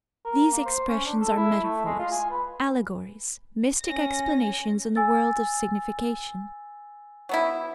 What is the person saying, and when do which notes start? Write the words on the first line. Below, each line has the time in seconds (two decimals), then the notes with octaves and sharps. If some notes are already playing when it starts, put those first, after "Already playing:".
These expressions are metaphors, allegories, mystic explanations in the world of signification.
0.25 A#4
0.52 A#3
0.65 C5
0.88 C#4
1.06 D4
1.20 A4
1.36 E4
1.64 A3
1.86 G#3
1.99 F4
2.12 G#5
2.30 B4
3.84 C#4 A#6
4.96 G#5 E6 A6
7.29 F#3 B3 E4